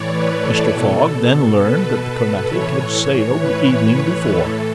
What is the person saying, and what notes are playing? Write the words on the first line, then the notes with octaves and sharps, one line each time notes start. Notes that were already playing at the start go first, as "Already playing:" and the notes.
Mr. Fogg then learned that the Carnatic had sailed the evening before.
Already playing: A2 E3 C#5 D5
B4
A4
B2 A4
B4
A2 E3 C#5
C#5
B4
A2 E3 A4